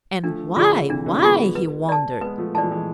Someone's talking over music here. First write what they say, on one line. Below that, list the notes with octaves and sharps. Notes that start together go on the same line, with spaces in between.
"And why--why?" he wondered.
F3 A3 D4
D3 F3 F4 G#4
C3 E3 D4
B2 D3
G#3 B3 F4 G#4
B4
D5 A5
G#3 B3 B4
F3 A3
E3 G#3 D5 A5
F3
E3 G#3